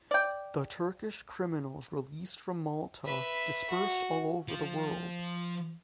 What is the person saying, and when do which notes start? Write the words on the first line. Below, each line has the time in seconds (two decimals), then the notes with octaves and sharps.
The Turkish criminals released from Malta dispersed all over the world.
0.11 D5 G5
3.05 B4 E5
3.70 F#4
4.48 F3 F4